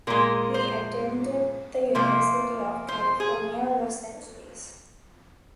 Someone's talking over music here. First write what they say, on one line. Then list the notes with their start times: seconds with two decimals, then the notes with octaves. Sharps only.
He attended the University of California Los Angeles.
0.07 A#2 G#3 A#4
0.54 C5
1.95 C3 F3 A#3
2.88 C5
3.20 G#4